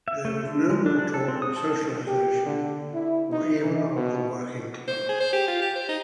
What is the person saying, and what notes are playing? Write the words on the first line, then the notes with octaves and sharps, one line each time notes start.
There was no more talk of socialisation or even of the working class.
E5
A3
D3
G#3
D4
D4
A4
C4
D#6
A5
G4
D3
E4
D#4
E3
B2
C5
G#4
C5
G4
F4
G4
C5
D#4